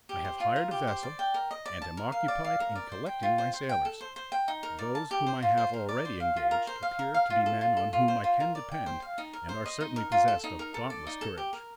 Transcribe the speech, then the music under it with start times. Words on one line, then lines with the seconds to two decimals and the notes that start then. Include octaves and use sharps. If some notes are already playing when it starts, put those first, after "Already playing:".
I have hired a vessel and am occupied in collecting my sailors; those whom I have already engaged appear to be men on whom I can depend and are certainly possessed of dauntless courage.
0.09 G4
0.25 C5
0.40 F4
0.56 A#4
0.71 G4
0.87 C5
1.03 D5
1.19 G5
1.34 A#4
1.51 D#5
1.66 D5
1.82 A5
1.97 A#4
2.12 F5
2.28 D5
2.44 F5
2.60 A#4
2.75 D5
2.92 C5
3.06 G5
3.23 F4
3.38 C5
3.53 C5
3.69 G5
3.85 A4
4.01 C5
4.16 C5
4.32 G5
4.48 D#4
4.63 A#4
4.79 D5
4.95 A5
5.11 G4
5.27 C5
5.42 F4
5.57 C5
5.74 A#4
5.89 D5
6.05 C5
6.20 F5
6.37 F4
6.51 A#4
6.67 C5
6.83 F5
6.99 A#4
7.14 F5
7.30 F4
7.46 A4
7.61 F4
7.77 A4
7.93 F4
8.08 C5
8.24 F4
8.40 A#4
8.55 D5
8.72 G5
8.86 C5
9.02 F5
9.18 D#4
9.33 A#4
9.49 C5
9.66 D#5
9.81 D#4
9.96 A#4
10.12 F4
10.28 A4
10.44 D#4
10.59 A#4
10.74 A4
10.90 D5
11.07 D#4
11.21 A4
11.38 G4
11.53 A#4